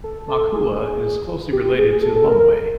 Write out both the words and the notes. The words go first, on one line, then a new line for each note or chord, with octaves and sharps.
Makhuwa is closely related to Lomwe.
A4
A4
G#4
G4
G#4
G#4
A4
A4
A#4
A#4